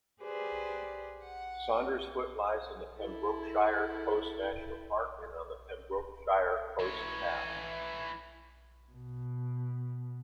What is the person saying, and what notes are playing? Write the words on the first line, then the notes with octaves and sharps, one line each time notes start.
Saundersfoot lies in the Pembrokeshire Coast National Park and on the Pembrokeshire Coast Path.
G4 G#4 B4 C5 D5
F#5
E4 A4
E3 C#5
B2